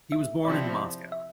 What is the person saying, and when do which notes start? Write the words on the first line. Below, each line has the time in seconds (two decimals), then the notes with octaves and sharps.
He was born in Moscow.
0.12 E5
0.45 C3 F3 C4 E4 D5
1.12 E5